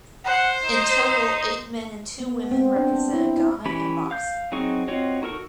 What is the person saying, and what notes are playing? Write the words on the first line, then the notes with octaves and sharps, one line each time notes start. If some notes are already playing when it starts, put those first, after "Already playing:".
In total eight men and two women represented Ghana in boxing.
C5 F#5
D#4
B3
C4
D4
E4
E4
E3 C#4 G4 B5
F5 G6
F#3 C4 D#4 G#4 C#6
C4 F4 F#4 C#5 D#5
D#4 F#4 A4 A#4 C#6